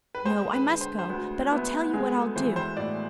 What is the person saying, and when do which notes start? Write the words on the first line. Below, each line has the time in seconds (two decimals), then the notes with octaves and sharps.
No, I must go, but I'll tell you what I'll do.
0.15 B4
0.25 G#3 C5
0.53 B4
0.68 D3
0.81 C5
0.99 C5
1.10 D2 B4
1.51 B3 E4
1.93 G#3 G#4
2.15 A4
2.36 E3 C5
2.56 C5
2.77 A2 D5